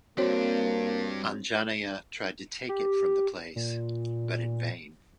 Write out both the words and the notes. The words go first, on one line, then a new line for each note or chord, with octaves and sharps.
Anjaneya tried to take it from the place but in vain.
G2 A#3 C4 D4 F#4 C#5
G4
A#2